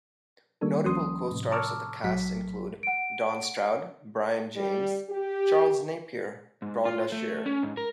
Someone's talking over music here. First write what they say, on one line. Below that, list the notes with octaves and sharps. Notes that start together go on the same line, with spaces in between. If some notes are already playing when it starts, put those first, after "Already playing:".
Notable co-stars of the cast include: Don Stroud, Brion James, Charles Napier, Rhonda Shear.
D#3 G3 A#3 D4 A4
G#1 F3 C#4 C6 D#6
A2 C3
A5 A#5 C#6 D6 E6 F6
A#1 G#2 F#3 B6
F#5 D7
G3
G4
G#2
F4
A3
C#4
G#2
A#4